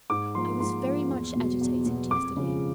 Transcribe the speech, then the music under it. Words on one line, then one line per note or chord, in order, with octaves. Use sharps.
I was very much agitated yesterday.
G#2 D6
F3 A#3 C6
G#2 C6
F3 A#3
E2
B2 F#3
E2
B2 F#3
F2 D6
C#3 F3 G#3